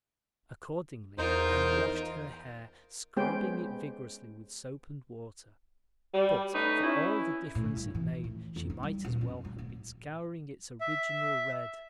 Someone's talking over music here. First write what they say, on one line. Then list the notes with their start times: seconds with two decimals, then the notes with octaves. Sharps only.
Accordingly, Anne washed her hair, scrubbing it vigorously with soap and water, but for all the difference it made she might as well have been scouring its original red.
1.18 E2 D#4 F4 A#4 C5
3.17 G#3 B3 C#4 G4 C5 G5
6.14 G3
6.54 A3 C#4 D#4 B4
6.84 C#4 E4
7.55 A2
7.76 G2
7.95 E3
8.24 A2
8.56 F2
8.70 D#4
8.83 G3
9.05 D#1
9.21 F2
9.45 G3
9.59 D1
10.81 E5